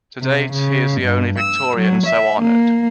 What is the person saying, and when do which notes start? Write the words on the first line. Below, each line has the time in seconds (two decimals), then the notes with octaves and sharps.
To date, he is the only Victorian so honoured.
0.21 C3
0.53 C#3
1.01 G2
1.39 E6
1.76 F#3
2.06 E5
2.41 A#3